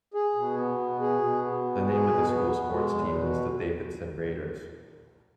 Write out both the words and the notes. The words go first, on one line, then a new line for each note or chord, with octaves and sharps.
The name of the school sports team is the Davidson Raiders.
G#4
B2
B3
B2
G#4
B2
B3
B2
G#4
B2
B3
B2
G#3
E2
B2